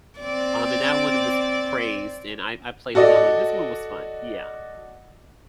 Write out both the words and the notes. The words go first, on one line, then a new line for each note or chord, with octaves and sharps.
um, and that one was praised, and I I played it and I'm like, "This one was fun." Yeah,
C4 D5
F#4 A4 D5 D#5